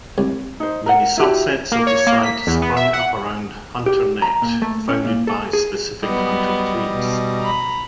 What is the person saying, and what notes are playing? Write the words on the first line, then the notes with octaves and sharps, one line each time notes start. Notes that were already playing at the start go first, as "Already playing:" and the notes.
Many subsets of the site sprung up around Hunter-net, founded by specific hunter creeds.
C2
D#4 C5
A#4 F#5
E4 F#4 G4
A#3
C#5
A#3
B6
E2
B3
E5
F#5
G4
A#5
A#2
A3
C#4
A#2
A4
G#4
F#3 G3 B3 D#5
B2
A#5 B5